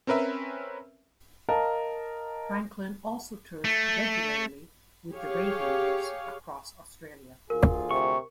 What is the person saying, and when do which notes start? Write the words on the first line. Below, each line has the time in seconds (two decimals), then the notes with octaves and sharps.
Franklin also tours regularly with The Radiators across Australia.
0.07 C4 C#4 A#4 B4 E5
1.49 A#4 D#5 F5 A5
3.64 A3
5.14 G4 G#4 C#5 F5
7.50 D2 F4 G#4 A#4
7.91 C3 C#6